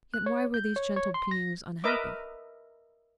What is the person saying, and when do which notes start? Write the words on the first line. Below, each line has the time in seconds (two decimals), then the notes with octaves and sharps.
Yet why were these gentle beings unhappy?
0.14 F#6
0.26 C#5
0.54 G6
0.76 C#5
0.96 C#5
1.14 C6
1.31 A#6
1.84 A#4 B4 D#5 E5 D6